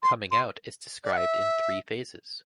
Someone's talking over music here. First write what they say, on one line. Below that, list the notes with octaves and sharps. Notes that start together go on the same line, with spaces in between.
"Coming out" is described in three phases.
C6
C6
D5
F#5
E5